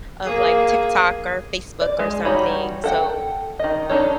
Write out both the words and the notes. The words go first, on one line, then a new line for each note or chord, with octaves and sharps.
of, like, TikTok or Facebook or something, so
A#3 G#4
D5
G#3
G3 D#4 F#4 C#5 B5
A4 F#5 G5
D#3 D#5
D4 D#4 A4 C#5